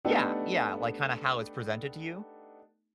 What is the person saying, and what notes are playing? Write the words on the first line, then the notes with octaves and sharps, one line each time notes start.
Yeah, yeah, like, kinda how it's presented to you.
A3 B3 D4 D#4 G4 A4